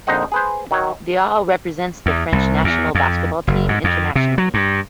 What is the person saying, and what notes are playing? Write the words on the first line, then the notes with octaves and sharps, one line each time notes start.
Diaw represents the French national basketball team internationally.
A#1 F2 D#4 C5 D#5 F#5
G#4 B4 C5
D#3 F#3 C#5
E2
C2
E2
F2
F#1
G#2
F2
C3
F#3
G2